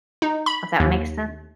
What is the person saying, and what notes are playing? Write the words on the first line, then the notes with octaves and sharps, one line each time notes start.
If that makes sense.
D#4
B5
D#2